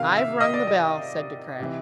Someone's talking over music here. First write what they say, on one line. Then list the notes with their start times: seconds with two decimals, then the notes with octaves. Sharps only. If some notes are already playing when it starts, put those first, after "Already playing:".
"I've rung the bell," said De Craye.
Already playing: C3 D#3 F5
0.17 E5
0.41 D#5
0.54 D5
0.67 D#5
1.59 C3 E3